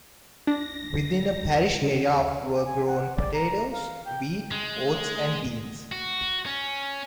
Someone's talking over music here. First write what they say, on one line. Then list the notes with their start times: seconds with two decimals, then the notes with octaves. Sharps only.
Within a parish area of were grown potatoes, wheat, oats and beans.
0.47 D4 A#6
1.82 C#3
2.65 G#5
2.87 F#5
3.16 D5
3.34 A#5
3.72 F5
4.05 G5
4.51 G#3
5.92 F#4
6.46 C#4